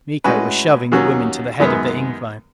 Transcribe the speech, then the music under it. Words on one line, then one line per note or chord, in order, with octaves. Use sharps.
Miko was shoving the women to the head of the incline.
A2 G#3 C#4 F#4 B4
D#2 D#3 F#3 C#4 F#4
F#2 D#3 G#3 B3